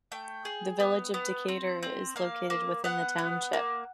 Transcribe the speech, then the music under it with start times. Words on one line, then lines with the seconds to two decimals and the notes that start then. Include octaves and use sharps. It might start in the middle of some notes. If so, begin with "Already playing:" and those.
The village of Decatur is located within the township.
0.12 A3 G5
0.45 G#4
0.80 B3
1.14 B3
1.48 C4
1.83 C4
2.16 A#3 F5
2.50 A#3
2.84 B3 F#5
3.18 B3
3.53 A#3